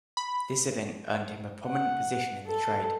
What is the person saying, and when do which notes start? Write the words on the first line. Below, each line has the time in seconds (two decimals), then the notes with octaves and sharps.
This event earned him a prominent position in the trade.
0.17 B5
1.65 F#5
2.47 A4